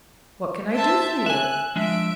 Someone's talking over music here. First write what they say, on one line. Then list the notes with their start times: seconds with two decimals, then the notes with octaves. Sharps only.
"What can I do for you?"
0.72 C5 E5 A5
1.26 E5 G#5 F#6
1.76 F3 G#3 D4 E5 D7